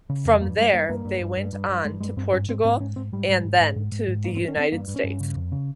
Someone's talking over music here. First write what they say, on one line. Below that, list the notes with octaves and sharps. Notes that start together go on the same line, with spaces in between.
From there they went on to Portugal and then to the United States.
C#3
F2
G2 A#3
G2 G#3
G2 A#3
G2 A#3
G2
G2
G2
G2
G2
G2 G#3
G2 G#3
G2 C4
G#2 C#4
G#2 C4
G#2 C4
G#2 C#4
G#2 C4
G#2 G3
G#2
G#2
G#2
G#2
G#2
G#2
G2 A#3
C4
G2
C#4
G2
C4
G2 A#3
G2
C#4
G2
C#3
F2
C#3